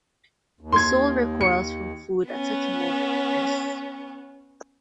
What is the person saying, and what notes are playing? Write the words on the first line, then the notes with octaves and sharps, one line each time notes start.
The soul recoils from food at such a moment, miss.
D#2
C6 G#6
C#7
B3 C#4